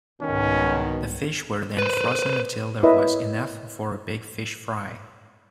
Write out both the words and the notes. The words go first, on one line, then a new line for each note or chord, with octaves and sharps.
The fish were then frozen until there was enough for a big fish fry.
C2 G#2 B2 D#3 C#4
B4 C5
E4 A#4 B4 C#5 D#5 E5